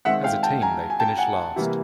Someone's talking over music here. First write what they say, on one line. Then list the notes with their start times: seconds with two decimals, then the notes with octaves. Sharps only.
As a team, they finished last.
0.05 D#3 G#3 C4 E5 F#5
0.24 F5 G5
0.43 G5 A5
0.62 G#5 A#5
0.90 G#5
1.00 G5 A5
1.18 F#5 G#5
1.56 C3 E3 G3 A#3